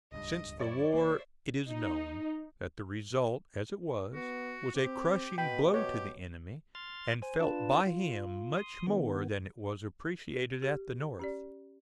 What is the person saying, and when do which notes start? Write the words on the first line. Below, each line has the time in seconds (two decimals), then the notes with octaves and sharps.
Since the war it is known that the result, as it was, was a crushing blow to the enemy, and felt by him much more than it was appreciated at the North.
0.12 D1 C#2 G2 D#5
0.60 F#2 E4 C#5 D5
0.93 F1 A#3 C5 E5
1.69 D#4
4.14 B3 F#4
4.75 C4 G4
5.38 B2 B4 G5
5.74 G4 C#5
6.75 C6 F6 A6
7.22 C5 G#5
7.40 D4 F4 B4 A5
7.86 F4
8.57 C6 D#6
8.87 D#3 B3
10.62 G4
11.19 C#4 G4 D5